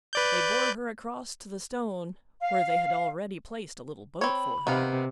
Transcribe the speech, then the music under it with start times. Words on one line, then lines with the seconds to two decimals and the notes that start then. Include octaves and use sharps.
They bore her across to the stone where they had already placed a little boat for her.
0.13 B4 D5 G6
2.41 F5
4.21 C4 C#5 B5
4.67 C3 D#3 B3 F5